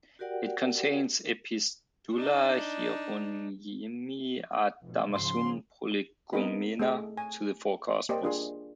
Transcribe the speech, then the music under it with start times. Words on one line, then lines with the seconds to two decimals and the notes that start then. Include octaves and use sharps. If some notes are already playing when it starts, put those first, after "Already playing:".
It contains Epistula Hieronymi ad Damasum, Prolegomena to the four Gospels.
0.19 F#4 G4 A#4 D5 F#5 G5
2.14 D4 D#4
4.82 F1 B2
5.12 G#2 C#3 F3 C6
6.33 B3 C4 D#4 A#4 D#5 B5
6.79 A3 G#4 A4 D#5
7.17 G#5
8.09 A#3 G4 C5 D5 D#5
8.23 D4 F4 G#4